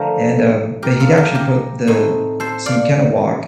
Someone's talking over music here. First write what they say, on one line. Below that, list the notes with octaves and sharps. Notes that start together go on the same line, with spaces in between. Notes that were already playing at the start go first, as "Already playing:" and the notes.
and, um but he'd actually put the so you kinda walk
Already playing: D3 F3 A3 G4 A#4
G4 A#4
F4 A4
G4 A#4
G4 A#4
A2 A3 C4 D#4
A4 C5
D5 F5